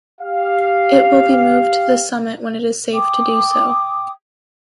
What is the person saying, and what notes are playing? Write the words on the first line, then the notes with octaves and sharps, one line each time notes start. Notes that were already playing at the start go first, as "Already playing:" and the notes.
It will be moved to the summit when it is safe to do so.
G4 F5
G5 D6 D#6